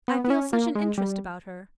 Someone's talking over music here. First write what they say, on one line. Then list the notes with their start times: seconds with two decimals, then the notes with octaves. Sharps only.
I feel such an interest about her.
0.08 B3
0.24 B3
0.30 C#4
0.53 A#3
0.75 G#3
0.98 G3